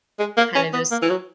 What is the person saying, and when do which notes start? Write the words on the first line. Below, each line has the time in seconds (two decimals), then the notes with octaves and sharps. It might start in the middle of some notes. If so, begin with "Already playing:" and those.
kinda just
0.19 G#3
0.37 A#3
0.55 C#4
0.73 B3
0.91 A#3
1.02 E3
1.10 F#3